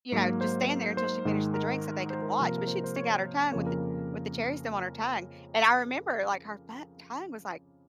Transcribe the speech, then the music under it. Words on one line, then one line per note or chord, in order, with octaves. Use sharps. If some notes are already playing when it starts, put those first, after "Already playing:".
you know, just stand there until she finished the drink so they could watch, but she'd stick out her tongue with the with the cherry stem on her tongue, and I remember, like, her fu tongue was, like,
G#2 F#3 A#3
C5
C5
G#2 D#3 G#3
A#4
C5
A#4
C3 F3 A#3
A#4
A#4
C5
C5
C#5
F2 C#3 F3 A#3 C#5
A#4